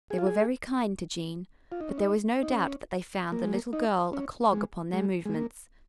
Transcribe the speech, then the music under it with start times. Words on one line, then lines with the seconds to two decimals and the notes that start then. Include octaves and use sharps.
They were very kind to Jean, but there was no doubt that they found the little girl a clog upon their movements.
0.10 G#4
0.18 F4
0.27 G#4
1.72 F4
1.81 D#4
1.89 C#4
1.98 D#4
2.43 D#4
2.52 C#4
3.32 A#3
3.44 G#3
3.54 A#3
3.73 D#4
4.13 C#4
4.53 G#3
4.93 G#3
5.26 G#3
5.35 A#3